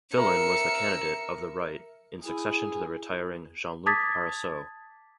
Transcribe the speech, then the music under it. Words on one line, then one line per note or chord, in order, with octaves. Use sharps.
Fillon was the candidate of the right in succession to the retiring Jean-Luc Harousseau.
A#4 E5 C#7
E4 G#4
A5 D6 D#6 G#6 A6 B6